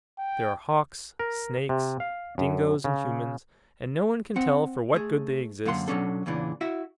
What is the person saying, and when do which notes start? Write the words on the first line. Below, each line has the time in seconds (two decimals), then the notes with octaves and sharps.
There are hawks, snakes, dingoes and humans, and no one can tell for what good they exist.
0.19 G5
1.19 A#4
1.69 C3
2.00 F5
2.38 F#2
2.84 C#3
4.36 C4 F#5
4.94 A3 G#4
5.65 F#2 D3 A#3 F5 F#5 C6
5.88 B2 F3 F#3 C#4 D4 A4
6.26 E2 A#2 C#3 E3 D4
6.61 E4 F#4 E5